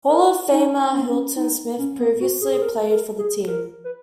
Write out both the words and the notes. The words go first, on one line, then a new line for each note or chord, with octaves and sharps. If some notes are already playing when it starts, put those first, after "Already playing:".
Hall of Famer Hilton Smith previously played for the team.
A#4
D#4
C#4
B3
C#4
D#4
C#4
B3
F#4
G#4
G#4
A#4
A#4
G#4
A#4
B4